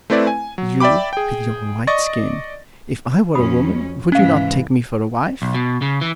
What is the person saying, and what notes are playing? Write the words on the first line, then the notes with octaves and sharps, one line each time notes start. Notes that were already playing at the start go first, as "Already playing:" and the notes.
You, with your white skin, if I were a woman, would you not take me for a wife?'
A3 C4 E4 B4 D5
G#5
F#3
D5 E5 G5 B5 D6
G#4 G5
D5 D#5 C#6 A6 A#6
F2 C#4 F#4 B5 D#6
G#2 C3 E3 C#4 F5 G#5
B1
B2
C#3
E3